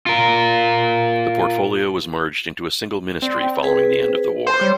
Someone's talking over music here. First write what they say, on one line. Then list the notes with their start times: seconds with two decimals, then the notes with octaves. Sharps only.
The portfolio was merged into a single ministry following the end of the war.
0.06 F4 A#4
3.22 C4 D5
3.63 G#4 B4
4.47 C5
4.61 G3 C#5